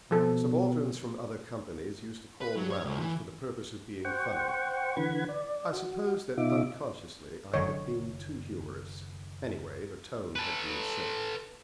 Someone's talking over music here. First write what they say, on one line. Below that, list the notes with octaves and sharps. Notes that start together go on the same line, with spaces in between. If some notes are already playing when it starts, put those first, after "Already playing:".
Subalterns from other companies used to call round for the purpose of being funny; I suppose that unconsciously I had been too humorous--anyway, the tone had been set.
B2 F3 A4
B4
F#3
C#5
C#2
E3
C5 F#5 G5 C#6
D3 E3 B4 F#5 B5 G#6
D5
F#4
B2 D#4 F4 E5 D6
F#1 F#2 D3 D#3 C#5 D#5
A4 B4